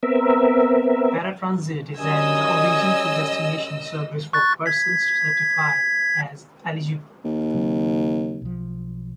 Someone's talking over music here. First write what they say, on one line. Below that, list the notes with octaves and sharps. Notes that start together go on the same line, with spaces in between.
Paratransit is an Origin to Destination service for persons certified as eligible.
B3 C4 A#4 E5
F#2 G3 C#4 D#5 G#5 D#6 E6
C#6 F#6 A6
G#6 B6
D#2
C#3 F#3 C4
B1 F3